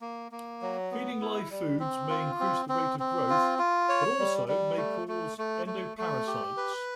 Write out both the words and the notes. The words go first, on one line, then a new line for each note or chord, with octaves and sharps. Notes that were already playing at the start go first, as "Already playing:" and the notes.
Feeding live foods may increase the rate of growth but also may cause endoparasites.
A#3
A#3
F#3
B3
E4
G3
C4
F4
C4
C4
C4
F4
F4
C#5
G3
G3
A3
A3
A3
A3
A3
G4
B4